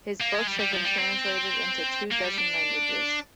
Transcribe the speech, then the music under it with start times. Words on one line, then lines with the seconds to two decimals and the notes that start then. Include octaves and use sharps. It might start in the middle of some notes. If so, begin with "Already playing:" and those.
His books have been translated into two dozen languages.
0.20 A#3
0.34 G#3
0.47 G3
0.59 G3
0.72 F3
0.84 G3
0.98 C4
2.11 A#3
2.24 G3
2.38 D4